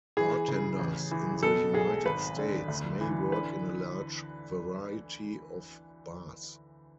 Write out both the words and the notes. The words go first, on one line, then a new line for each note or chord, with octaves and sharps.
Bartenders in the United States may work in a large variety of bars.
E3 G#4
C#3
A1
E3
B2 A4
B1 G#4
G#1 B4
D3
D2
E3
D3 B4